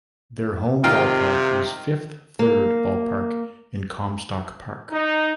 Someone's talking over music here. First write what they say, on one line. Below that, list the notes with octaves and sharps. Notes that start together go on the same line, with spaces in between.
Their home ballpark is Fifth Third Ballpark in Comstock Park.
C3 D#3 F4 G5
A#3
D#4